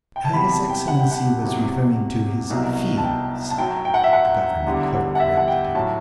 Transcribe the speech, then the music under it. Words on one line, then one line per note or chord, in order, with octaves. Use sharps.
"His Excellency was referring to his fees," the government clerk corrected him.
G5
A5
E2 C3 G3 B5
A5
G5
F#5
G5
F#5
E2 C3 F#3
C2 B2 F#3
A5
G5
A5
F#2 F#3 G5
G5
F#5
E5
F#5
E2 D3 G3
F#5
E5
F#5
G5
A2 F#3 A5